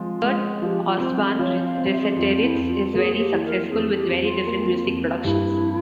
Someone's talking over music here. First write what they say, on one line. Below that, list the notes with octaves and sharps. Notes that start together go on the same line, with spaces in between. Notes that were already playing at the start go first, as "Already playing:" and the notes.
Kurt Ostbahn, Resetarits is very successful with very different music productions.
Already playing: F3 G#3 C4 F4
G#3
F3 G4
F4
C4
F4
F3 C#5
F5
C4
E5
G#4
G4
F2 F4
E4
F2
F4
A#3 G#4
G4
E3
A#4
F2 G#4
G4
F2
F4
A#3
F2
G2 E4